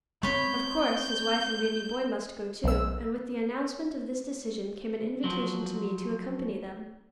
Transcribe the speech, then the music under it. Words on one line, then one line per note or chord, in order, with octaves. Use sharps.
Of course his wife and baby boy must go too, and with the announcement of this decision came an invitation to me to accompany them.
G#3 A3 C4 C#5 B5 G6
B1 E6
F3 F#3